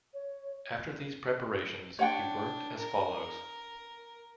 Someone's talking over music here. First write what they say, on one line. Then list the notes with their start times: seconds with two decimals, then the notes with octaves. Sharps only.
After these preparations he worked as follows.
0.14 C#5
1.99 D4 C#5 F#5 G5
2.77 A#4